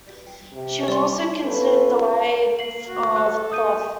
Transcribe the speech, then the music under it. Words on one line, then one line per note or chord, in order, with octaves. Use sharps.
She was also considered the wife of Thoth.
C3
G3 D5 C6
B3 C#4 F4 A4 B4
A#3 C7 F#7
D2 F#4
A4 F#6
A#3 G4 D#6 G6 D#7